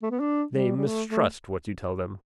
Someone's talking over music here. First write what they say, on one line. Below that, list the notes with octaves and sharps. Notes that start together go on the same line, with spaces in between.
They mistrust what you tell them.
A3
B3
D4
G3
G3
A3
A3